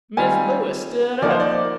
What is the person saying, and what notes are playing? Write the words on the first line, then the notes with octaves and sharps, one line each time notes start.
Mrs. Lewis stood up.
D#3 G3 C4 F4 G#5
F3 A#3 D#4 D5
C5
D5